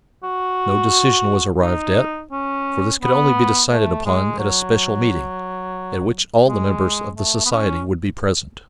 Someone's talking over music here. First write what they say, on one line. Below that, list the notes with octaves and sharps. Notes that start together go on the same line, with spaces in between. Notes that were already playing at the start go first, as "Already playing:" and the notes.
No decision was arrived at, for this could only be decided upon at a special meeting, at which all the members of the society would be present.
F#4
D#4
C#4
B3
A3
G#3
F#3
G#3
A3
B3
C#4